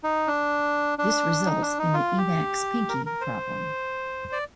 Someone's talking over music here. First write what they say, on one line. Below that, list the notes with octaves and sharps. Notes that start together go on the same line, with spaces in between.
This results in the "Emacs pinky" problem.
D#4
D4
D4
D#4
D4
D#4
F4
G4
A#4
A#4
C5
D5